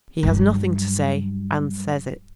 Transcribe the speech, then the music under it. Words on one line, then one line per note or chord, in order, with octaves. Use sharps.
He has nothing to say and says it.
G2 F#3